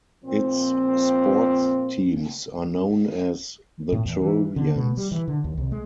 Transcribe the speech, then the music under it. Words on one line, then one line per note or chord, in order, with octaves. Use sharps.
Its sports teams are known as the Trojans.
A#2 F3 C4
A2
E2
E3
D3
B2
G3
E3
D3
D#2
C2
G#3